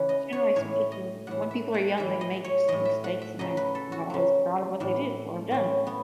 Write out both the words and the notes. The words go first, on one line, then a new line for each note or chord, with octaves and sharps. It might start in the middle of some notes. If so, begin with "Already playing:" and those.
generally speaking, when people are young, they make s mistakes and they're not always proud of what they do, or have done.
Already playing: C#3 E3 F#5
D#5
C#5
A2 E3 C#5
D#5
A2 E3 F#5
E5
F#5
A2 E3 E5
D#5
C#5
A2 E3 D#5
E5
F#5
E5
C#3 F#3 D#5
B4
A4
F#4
C#3 F#3
A2 E3
A2 E3 C#4
B3